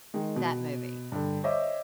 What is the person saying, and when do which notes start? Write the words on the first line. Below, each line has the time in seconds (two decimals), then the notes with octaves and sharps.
that movie.
0.14 D#3 G#3
0.36 B2
1.12 G2 D3
1.43 C5 C#5 D#5 E5 D6